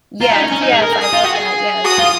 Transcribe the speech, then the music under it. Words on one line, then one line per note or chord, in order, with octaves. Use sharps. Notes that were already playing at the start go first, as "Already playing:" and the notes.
Yes, yes, I love that, yes.
F4 A#5
D#4
C#4
C#4
D#4
G#4
A#4
G#4
D#6
F4
F#4
G#4
F#4 D#6
F4